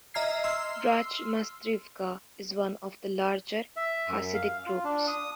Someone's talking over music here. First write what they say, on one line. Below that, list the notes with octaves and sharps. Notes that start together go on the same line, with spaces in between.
Rachmastrivka is one of the larger Hasidic groups.
D#5 E5 A#5 F6 G#6 C7
C6 E6 F6 C7
E5
F#2
F5
F4
D4
D#6